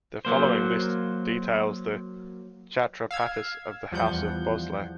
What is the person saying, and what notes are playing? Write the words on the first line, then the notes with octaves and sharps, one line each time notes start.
The following list details the Chhatrapatis of the House of Bhosle.
F#3 A#3 C5
F5 E6 G#6
E2 F3 G3 F#5 G6